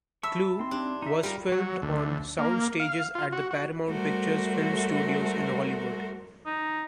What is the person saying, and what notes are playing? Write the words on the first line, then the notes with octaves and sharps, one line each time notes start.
"Clue" was filmed on sound stages at the Paramount Pictures film studios in Hollywood.
E5 A5 B5 C#6 E6
C4 D#4 C6
D4 G4
D#4 E5
G3 F4 A#4
F#3
D2
A#3
F5
F4
F#4
F#4
G3 A3 F#4 A4 A#4 C5
D#4